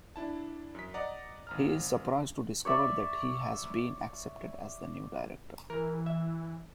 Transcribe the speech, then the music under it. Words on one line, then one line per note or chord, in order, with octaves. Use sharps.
He is surprised to discover that he has been accepted as the new Director.
D4 E4 A5
F#2 B6
D5 D#5 F#5 A#5
G#1 A#5 F6
C#5 D5 E5
E3 A#4
E5